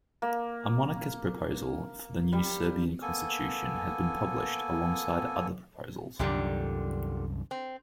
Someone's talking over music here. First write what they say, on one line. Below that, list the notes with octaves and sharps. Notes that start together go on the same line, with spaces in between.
A monarchist proposal for the new Serbian constitution has been published alongside other proposals.
A#3
G3
A#3 B3 A4 G#5
C2 F#2 A#2 D3 D#3 G3
C4